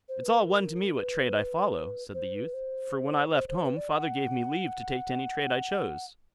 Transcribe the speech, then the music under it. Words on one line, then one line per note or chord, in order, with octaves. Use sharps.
'It's all one to me what trade I follow', said the youth; 'for when I left home, father gave me leave to take to any trade I chose.'
C5
B4
A#4
B4
C5
B4
C5
C5
C5
B4
D5
F#5